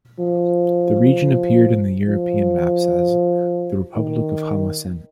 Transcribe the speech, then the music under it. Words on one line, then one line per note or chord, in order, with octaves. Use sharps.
The region appeared in European maps as 'The Republic of Hamasien'.
F3
F3
D#3